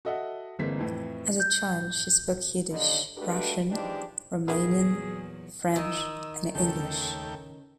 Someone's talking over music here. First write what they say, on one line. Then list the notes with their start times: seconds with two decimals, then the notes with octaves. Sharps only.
As a child, she spoke Yiddish, Russian, Romanian, French and English.
0.05 F#4 A4 D#5 E5 F#5
0.59 G1 E3 G#3 A#3 C4 B6
0.79 F2 A2 E3
1.40 G6
2.71 D#2 D3 D#4
3.17 G#3 A3 D4 F#4 G4 B4
3.70 E3 F3 G#3 D4 D#4 G4
4.48 E2 A#2 D#3 F#3 G#3 B3 G#4
5.76 D#3 D#6 E6
6.55 D#2 C#3 A3 C#4 A4 G5